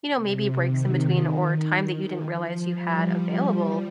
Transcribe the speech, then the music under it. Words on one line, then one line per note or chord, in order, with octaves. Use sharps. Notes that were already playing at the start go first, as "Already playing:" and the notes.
you know, maybe breaks in between or time that you didn't realize you had available.
C3
D#3
F3
G3